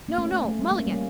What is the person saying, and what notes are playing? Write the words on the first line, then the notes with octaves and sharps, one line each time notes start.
No, no, Mulligan!
A#3
A3 C#4
A3
A3
G3
A#3
C#4
G3 A#3